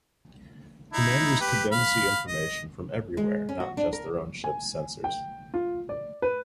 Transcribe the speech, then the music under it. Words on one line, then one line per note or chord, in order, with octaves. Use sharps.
Commanders could then see information from everywhere, not just their own ship's sensors.
D#4 E4
G4 B4
F5 B5
D#5
G#3
C#4
F#4
D4
A#4
G#5
G5
F4
D5
B4